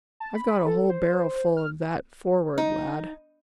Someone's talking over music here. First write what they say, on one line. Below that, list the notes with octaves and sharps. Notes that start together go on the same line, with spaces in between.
"I've got a whole barrel full of that forward, lad."
A5
B5
A4
C5
F6
D#4